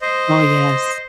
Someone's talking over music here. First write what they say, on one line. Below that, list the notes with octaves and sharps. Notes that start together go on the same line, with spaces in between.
Oh, yes.
C5 D#5